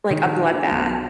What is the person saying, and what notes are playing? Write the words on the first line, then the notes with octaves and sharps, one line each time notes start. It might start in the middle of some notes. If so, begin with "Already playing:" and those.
like, a bloodbath.
D#3
D4
B1